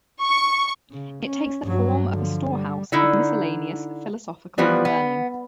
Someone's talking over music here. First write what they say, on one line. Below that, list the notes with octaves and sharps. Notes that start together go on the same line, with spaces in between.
It takes the form of a storehouse of miscellaneous philosophical learning.
C#6
C#3
C#4
G2 F#3
D3 F3
G3
D3 D#4 E4
E3 F3 G3 B3
B3